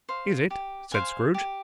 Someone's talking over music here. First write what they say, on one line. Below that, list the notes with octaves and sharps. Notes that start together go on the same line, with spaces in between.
'Is it?' said Scrooge.
C5 F5
G4
C5 F5 G#5
G4